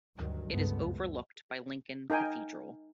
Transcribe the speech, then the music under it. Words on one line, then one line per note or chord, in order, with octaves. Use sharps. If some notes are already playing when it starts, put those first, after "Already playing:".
It is overlooked by Lincoln Cathedral.
D2 G2 D#3 F#3
G1 C#2 G2 A#2 A3 B3
F#2
D#4 A#4 G5 G#5